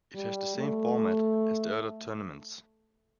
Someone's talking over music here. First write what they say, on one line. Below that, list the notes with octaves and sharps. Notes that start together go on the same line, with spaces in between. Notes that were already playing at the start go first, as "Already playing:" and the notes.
It has the same format as the other tournaments.
G3
A3